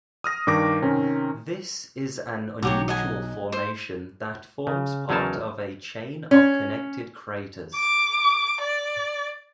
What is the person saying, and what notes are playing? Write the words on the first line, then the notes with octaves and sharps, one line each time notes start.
This is an unusual formation that forms part of a chain of connected craters.
D#6 F6 A#6
G2 D#3 D6 A#6
C3 D#3 C#4
B1 F#3 F#4 G4 C#5
D#5 F#5 G#5
C5
C#3
E2 F#3 C#4 D#4 A#4 A5
C#4
D6
D5